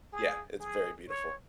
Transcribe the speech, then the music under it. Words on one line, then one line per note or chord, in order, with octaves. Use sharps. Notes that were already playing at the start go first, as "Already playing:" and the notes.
Yeah, it's very beautiful.
G#4
G#4
C#5